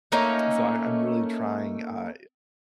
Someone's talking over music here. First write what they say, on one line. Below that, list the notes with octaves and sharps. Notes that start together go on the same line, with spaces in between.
so, I I'm really trying, uh,
A3 A#3 C#4 D#4